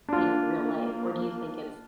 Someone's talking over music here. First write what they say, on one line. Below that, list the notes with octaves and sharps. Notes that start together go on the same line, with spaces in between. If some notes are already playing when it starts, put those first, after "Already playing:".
you know, real life, or do you think it's
A#3 D4 F4